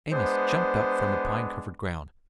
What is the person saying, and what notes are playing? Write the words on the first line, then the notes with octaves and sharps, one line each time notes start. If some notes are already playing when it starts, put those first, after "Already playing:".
Amos jumped up from the pine-covered ground.
G#3 B3 D4 C5